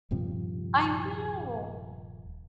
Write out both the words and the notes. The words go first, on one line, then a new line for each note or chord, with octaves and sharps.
I know.
D#1 G2 C3 F3